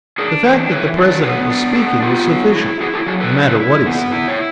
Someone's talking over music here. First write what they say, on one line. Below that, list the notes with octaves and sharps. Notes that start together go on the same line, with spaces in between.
The fact that the President was speaking was sufficient, no matter what he said.
D4 G#4 A#4
E3 A#4 C5
E3 B4 C#5
D4
B3 B4 C#5
D4
B3 G4 A4
B3 F4 G4
F#3
E4
E4 F#4 G#4
G4 A4
F#3 F#4 G#4
A4 B4
D3
E4
B3
E4
C#5